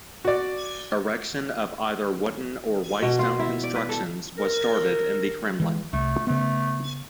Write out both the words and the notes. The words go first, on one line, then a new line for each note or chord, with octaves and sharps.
Erection of either wooden or white-stone constructions was started in the Kremlin.
F#4 D5
B2
F4
E4
D5
B4
A4
A#4
E3 G#3
C2 A3
C#3 A3 B3